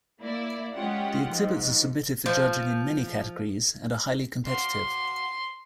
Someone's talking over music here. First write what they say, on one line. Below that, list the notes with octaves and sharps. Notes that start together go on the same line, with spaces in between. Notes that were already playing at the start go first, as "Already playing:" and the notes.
The exhibits are submitted for judging in many categories, and are highly competitive.
A#3 E4 D5
G#3 C#4 F4 G4 F#5
G#2 F3
F3
F#3 A#3 F#4 C6